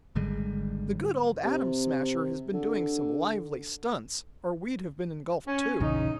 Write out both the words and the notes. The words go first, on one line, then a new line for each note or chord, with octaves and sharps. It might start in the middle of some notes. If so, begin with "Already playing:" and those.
The good old Atom Smasher has been doing some lively stunts, or we'd have been engulfed too.
G#1 D3 G3 G#3
C3
D3
C#4
A#1 E2 C#3 D#4